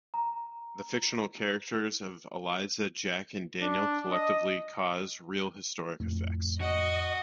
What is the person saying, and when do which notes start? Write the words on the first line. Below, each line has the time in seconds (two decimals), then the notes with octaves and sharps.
The fictional characters of Eliza, Jack and Daniel collectively cause real historic effects.
0.14 A#5
3.62 D4
4.12 D#5
6.00 F2 A2
6.61 F#4 D#5